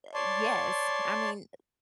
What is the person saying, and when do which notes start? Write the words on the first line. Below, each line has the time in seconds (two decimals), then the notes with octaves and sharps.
Uh, yes. I mean
0.14 C#5 D5 A5 C6